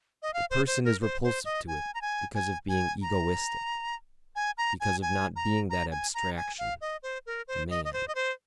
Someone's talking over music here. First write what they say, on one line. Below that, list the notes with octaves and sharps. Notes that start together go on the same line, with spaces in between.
The person is repulsive to it because of being "egoistic," because of not being that abstraction, Man.
D#5
F5
C5
C5
A#4
C5
C5
D#5
G#5
A#5
G#5
G#5
G#5
A#5
G#5
A#5
G#5
G#5
A#5
A#5
G#5
A#5
G#5
F5
D#5
C5
A#4
C5
D#5
D#5
C5
D#5
C5